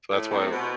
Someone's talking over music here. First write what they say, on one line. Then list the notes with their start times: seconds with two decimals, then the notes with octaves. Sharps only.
so that's why
0.11 A2
0.31 C3
0.53 B2